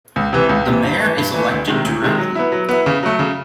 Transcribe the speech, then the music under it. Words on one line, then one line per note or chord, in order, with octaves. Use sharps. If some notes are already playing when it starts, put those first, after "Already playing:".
The mayor is elected directly.
C#2
C3 E3
C#2
C3
E3
G2
E3 A3
G2
E3 A3
D2
C3 D#3 G#3
D2
C3 D#3 G#3
F#3
B3 E4
F#3
B3 E4
C#3
F#3 A3
C#3